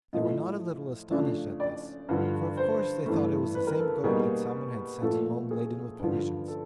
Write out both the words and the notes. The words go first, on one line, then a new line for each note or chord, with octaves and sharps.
They were not a little astonished at this, for of course they thought it was the same goat that Simon had sent home laden with provisions.
A2 F3 A3 D#5
C#3 F3 A3 D4
D5
G2 D3 F3
C5
G2 E3 A3
B4
A#4
A4
B2 G3 A#3 D#4 G#4
A#2 F3 A3 A4
G#4
G2 D3 F3
A4